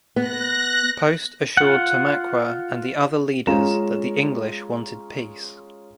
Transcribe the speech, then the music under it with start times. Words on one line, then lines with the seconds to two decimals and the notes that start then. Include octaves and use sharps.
Post assured Tamaqua and the other leaders that the English wanted peace.
0.16 B3 F#6 A#6
1.57 F4 F#5
3.47 G#3 C#4 F4 A#5 E7